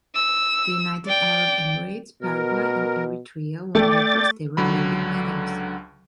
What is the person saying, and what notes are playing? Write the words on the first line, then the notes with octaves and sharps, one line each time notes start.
The United Arab Emirates, Paraguay and Eritrea won their first ever Olympic medals.
E6
D5 G5
B2 A#4
A3 D5 G5 A6
C#2 D3 F#3 B5